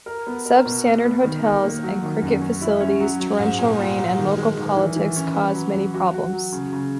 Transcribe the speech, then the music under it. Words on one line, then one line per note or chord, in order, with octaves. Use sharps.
Substandard hotels and cricket facilities, torrential rain and local politics caused many problems.
A#4
B3
A#4
B2
B2
B3
D#3
D#3
A#3
F#3
D#3
F#2
C#4
E4
C#4
F#3
F#3
G#2
A#2
A#2
F#3
D#3
G#3
D#3
E3
E3
C#4
B4
F#3
F#3
F#4
F#4
F#3
C#3
C#3